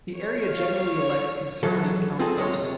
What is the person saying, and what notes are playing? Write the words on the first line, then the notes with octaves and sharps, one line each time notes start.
The area generally elects Conservative Councillors.
C#5
C#5 F5
C#5
E3 F#3 G#3 A4
C4 F4 G#4 A4 G#5
F#2 G#3 A4 C#5
C3